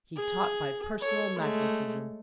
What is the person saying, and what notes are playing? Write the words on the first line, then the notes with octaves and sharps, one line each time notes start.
He taught by personal magnetism.
G#4
A4 C#5
G#3 A3